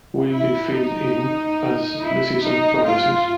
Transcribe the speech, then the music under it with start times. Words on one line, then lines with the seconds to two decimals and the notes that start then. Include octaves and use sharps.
Will be filled in as the season progresses.
0.28 E4
0.71 D#4
1.99 E4
2.42 D#4
2.86 F4